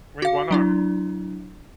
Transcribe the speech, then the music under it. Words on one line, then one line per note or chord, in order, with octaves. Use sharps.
I mean, why not?
F#4 F5
F#3 D4 E4